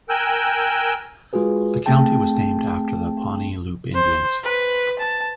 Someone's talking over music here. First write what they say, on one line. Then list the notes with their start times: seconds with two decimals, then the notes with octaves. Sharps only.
The county was named after the Pawnee Loup Indians.
0.09 A#4 G5 G#5 E6 F#6 G6
1.33 G#3 F4 F#4 G#4 B4
1.86 A3 C4 G#4 G5 A5
3.95 C5
4.44 B4
4.99 A5